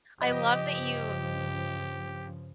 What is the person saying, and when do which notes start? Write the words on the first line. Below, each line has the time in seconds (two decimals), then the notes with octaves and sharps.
I love that you
0.22 G2 C#3 F3 G4 D#5